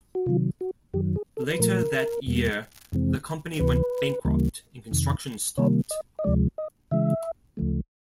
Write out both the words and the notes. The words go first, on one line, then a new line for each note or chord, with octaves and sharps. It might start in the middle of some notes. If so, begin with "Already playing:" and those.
Later that year the company went bankrupt and construction stopped.
F#4
C3 D#3 F#3 F4
F#4
F#2 D#3 F#3 G4
G#4
A4
B4
A#2 F3 A3 A#4
E2 B2 G3 A#3
F2 C3 E3 G#3 C4
D2 C3 E3 B4
D2 C#3 E3 G3 A#3
F2 C3 D#3
C3 D#3 G3 A#3 C#5
D#5
D#5
D2 C3 F3 G#3 D5
D#5
C#3 E3 G#3 E5
D2 C#3 F3 A3